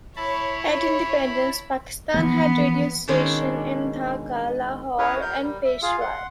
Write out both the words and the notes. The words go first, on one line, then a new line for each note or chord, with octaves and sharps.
At independence, Pakistan had radio stations in Dhaka, Lahore, and Peshawar.
E4 C#5 A5 B5
E3 F3 A#3 B3
B2 D#3 G#3 C#4 D4
C#4 E4 G#4 A#4 B4 C#5
F#3 A#4 G6
G3
E5
F4 G#4 F5
F#5 C6